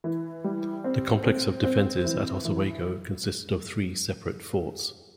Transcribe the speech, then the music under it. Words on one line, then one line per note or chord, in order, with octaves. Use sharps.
The complex of defenses at Oswego consisted of three separate forts.
E3
G3
C4
C4
C4
E3
E3